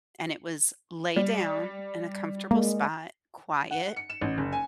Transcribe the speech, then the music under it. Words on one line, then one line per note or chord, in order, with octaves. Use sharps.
and it was: "Lay down in a comfortable spot, quiet.
G3
G#3 A#3
F#5
C#7
E7
A1
F#1
G#5